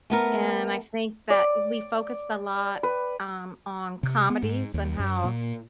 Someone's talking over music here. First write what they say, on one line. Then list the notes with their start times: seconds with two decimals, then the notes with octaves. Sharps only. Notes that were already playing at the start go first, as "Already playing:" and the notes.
and I think that we focused a lot, um, on comedies and how
0.10 A3 B3 A#4
1.30 D5
2.83 B4
4.03 C3
4.30 B3
4.43 G#2
4.74 D#2
5.00 F#2
5.24 A#2